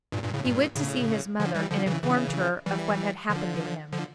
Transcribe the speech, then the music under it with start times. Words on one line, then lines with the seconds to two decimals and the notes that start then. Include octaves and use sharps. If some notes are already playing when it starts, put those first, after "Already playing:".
He went to see his mother, and informed her of what had happened to him.
0.12 G2 A#2
0.23 G2 A#2
0.34 A2 C#3
0.45 G2 A#2
0.75 A2 C#3
1.40 D3 F3
1.55 E3 G3
1.71 D3 F3
1.86 C#3 E3
2.03 C#3 E3
2.66 E3 G3
3.30 D3 F3
3.93 D3 F3